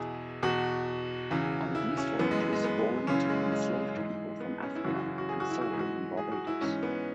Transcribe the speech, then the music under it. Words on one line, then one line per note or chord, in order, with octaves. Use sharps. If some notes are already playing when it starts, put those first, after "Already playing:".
On these voyages Doran took enslaved people from Africa and sold them in Barbados.
Already playing: E2 B2 E4 G#4
E2 B2 F#4
E2 C#3 E3
E4
C#4
F#2 E3 B3
G#3
G#3
G#3
B3
F#2 C#3 E3 C#4
G#3
G#3
G#2 E3
B3
C#4
E4
F#2 C#3 E3 F#4
F#4
E4
F#4
G#4
F#4
E4
F#4
G#2 E3 G#4
F#4
G#4
F#4
E4
G#2 E3 C#4
B3